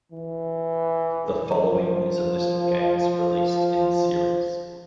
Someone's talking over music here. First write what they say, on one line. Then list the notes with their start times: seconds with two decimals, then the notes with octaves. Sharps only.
The following is a list of games released in the series.
0.12 E3
1.64 F3